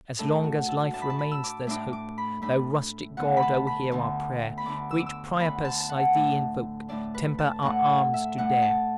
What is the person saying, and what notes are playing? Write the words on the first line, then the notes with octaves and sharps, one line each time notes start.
As long as life remains, there's hope; Thou rustic God, oh hear our prayer, Great Priapus, I thee invoke, Temper our arms to dare!
A2 A3 D4 A4
F#4
A4
A2 A3 D4 A5
B5
A5
B5
E6
D6
A2 A3 D4 D6
D6
B5
A2 A3 D4 B5
D2 D3 B3 F#5
B5
A5
B5
D2 D3 B3
B5
D2 D3 B3 D6
E6
D6
E6
D2 D3 B3 B5
A5
A5
F#5
A2 A3 D4
A2 A3 D4 D5
B4
A5
A2 A3 D4 F#5
E5
A2 A3 D4 F#5
A5